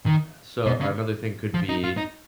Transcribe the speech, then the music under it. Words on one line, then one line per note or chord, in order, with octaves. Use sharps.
Uh, so another thing could be,
D#3
B2
C#3
F3
D#4
F4
D#4